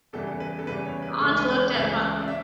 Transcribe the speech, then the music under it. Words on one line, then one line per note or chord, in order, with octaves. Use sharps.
Aunt looked at butler.
E2 C#3 E3 G3 A4
A4
B4
A4
E2 C#3 E3 G3 B4
C#5
B4
C#2 C#3 E3 A3 A4
B4
C#5
D5
C#2 C#3 E3 A3 E5
D5
C#4 E5